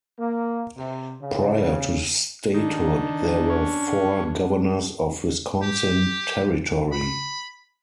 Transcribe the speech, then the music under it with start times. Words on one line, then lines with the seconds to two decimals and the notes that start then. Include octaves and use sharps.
Prior to statehood, there were four Governors of Wisconsin Territory.
0.19 A#3
0.77 C3
1.21 C#3
2.54 D#3 D4
3.50 C#4
5.62 G4
6.92 B5